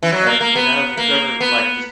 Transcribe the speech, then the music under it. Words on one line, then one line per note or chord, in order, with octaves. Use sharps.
and, you know, if you've ever, like, just
E3
F#3
A#3
A#3
B3
A#3
B3